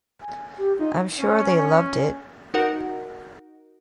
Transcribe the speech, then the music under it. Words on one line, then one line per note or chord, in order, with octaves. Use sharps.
I’m sure they loved it.
G#5
G4
D#4 F4
C#4
D#4 F#4 A#4 F#5